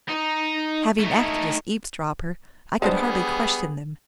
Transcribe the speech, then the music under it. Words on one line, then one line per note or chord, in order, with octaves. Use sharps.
Having acted as eavesdropper, I could hardly question them.
D#4
A3 D#4
G3 G#3 B3 D4 G#4 C5